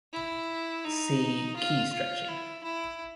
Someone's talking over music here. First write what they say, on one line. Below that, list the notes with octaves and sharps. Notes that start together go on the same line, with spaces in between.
"See" key stretching.
E4
D#4
F4
F4
E4
E4